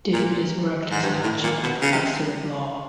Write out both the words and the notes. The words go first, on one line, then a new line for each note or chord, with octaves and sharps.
David has worked as an Adjunct Professor of Law.
A#2
G#2
G2
A2
A#2
B2
C#3
C3